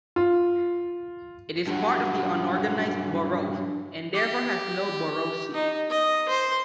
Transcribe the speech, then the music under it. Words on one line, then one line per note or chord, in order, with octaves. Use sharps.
It is part of the Unorganized Borough and therefore has no borough seat.
F4
G2 F#3
G4
D#4
D#5
C5